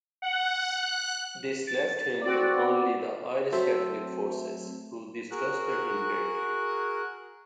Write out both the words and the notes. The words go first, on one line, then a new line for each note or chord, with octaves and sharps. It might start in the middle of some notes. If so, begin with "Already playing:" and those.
This left him with only the Irish Catholic forces, who distrusted him greatly.
F#5
F#6
A6
C4 F#4 D5
F#3 A3 C4 A4 C5 E5
F#4 G#4 A#4 F#6